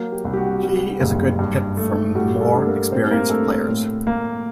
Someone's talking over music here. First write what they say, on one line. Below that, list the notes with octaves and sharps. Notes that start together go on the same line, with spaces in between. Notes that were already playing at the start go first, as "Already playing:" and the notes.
He is a good pick for more experienced players.
Already playing: F#3 A#3 A#4
G4
C2
G4
F#4
G3
F#1
G2
A3
G3 F#4
A3 A4
D4
A#3 A#4
A2 C4 C5
A#3 A#4
A3 D4 A4
A2
A#3